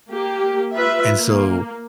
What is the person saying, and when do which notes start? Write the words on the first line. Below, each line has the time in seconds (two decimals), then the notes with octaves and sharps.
And so,
0.12 A#3 G4
0.74 F4 B4 E5
1.19 A#3